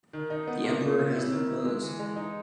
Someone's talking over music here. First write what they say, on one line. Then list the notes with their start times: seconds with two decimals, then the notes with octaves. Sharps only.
The emperor has no clothes.
0.13 D#3
0.30 D#4
0.47 B3
0.64 A#2
0.81 A#2
0.98 C#4
1.15 E4
1.32 D#3
1.49 E4
1.65 G#3
1.82 E3
1.99 G#3
2.16 D#4